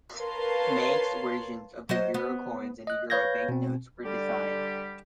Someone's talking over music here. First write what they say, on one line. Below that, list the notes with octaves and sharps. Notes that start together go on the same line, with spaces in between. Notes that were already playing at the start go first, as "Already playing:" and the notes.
Manx versions of the euro coins and euro banknotes were designed.
A#4 B4 C#5 F5 A5 C6
F#3 C5 D#5
B3
D#5 F#6
B4 C#5 F5 G6 G#6 A#6
B2 C4
D3 G3 G4